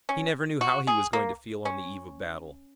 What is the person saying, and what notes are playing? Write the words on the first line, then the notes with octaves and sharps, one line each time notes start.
He never knew how he was going to feel on the eve of battle.
C#4
F#4
G#4
A#3
C#4